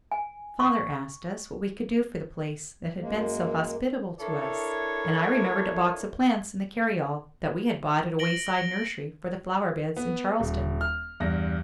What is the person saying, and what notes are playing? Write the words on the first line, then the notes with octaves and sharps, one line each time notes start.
Father asked us what we could do for the place that had been so hospitable to us, and I remembered a box of plants in the carryall, that we had bought at a wayside nursery, for the flower beds in Charlestown.
G#5
C#6
F#2 G#3 A#3
D4 E4 A4 A#4 C#5
A#6 D7 F#7 G7
B3
D#1
F6
E2 G2 A#6